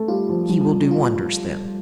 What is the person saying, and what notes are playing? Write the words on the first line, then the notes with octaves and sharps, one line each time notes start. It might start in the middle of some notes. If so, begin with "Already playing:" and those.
"He will do wonders then."
Already playing: A3
G3 F4
F3
F3 G3
F4